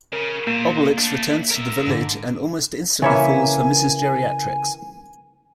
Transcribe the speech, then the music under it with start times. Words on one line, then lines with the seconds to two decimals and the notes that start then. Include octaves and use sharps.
Obelix returns to the village and almost instantly falls for Mrs. Geriatrix.
0.13 C#3 A#4
0.47 A#2 A#3
0.98 A3 D4
1.50 A#4 E5
1.87 G#2 D3
3.02 C#3 E3 A#3 C#5 E5 G#5